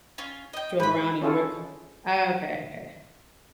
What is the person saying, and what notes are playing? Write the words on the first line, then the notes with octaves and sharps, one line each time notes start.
drove around and you were co Oh, okay, okay.
C#4 F4
D#5 G5
G#2 B4 B5
C#4 E4 F4 G#4 A4